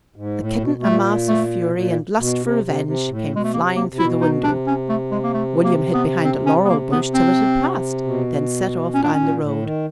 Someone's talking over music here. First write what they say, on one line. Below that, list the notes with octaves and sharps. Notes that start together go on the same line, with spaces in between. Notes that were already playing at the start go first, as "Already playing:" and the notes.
The kitten, a mass of fury and lust for revenge, came flying through the window. William hid behind a laurel bush till it had passed, then set off down the road.
G#2
A2
B2
B2
A#2 A3
A3
B2
A#2
B2
C3
C3
C3
A2
B2 G#3
A3
C3 A#3
A#3
C3
B2 E4
D#4
C3 D4
C#4
A3
G#3
A#3
A3
A#3
B3
C4
C#4
B3
A#3
B3
C4
B2
A#2 C#4
D4
A#2 C#4
A2
D#3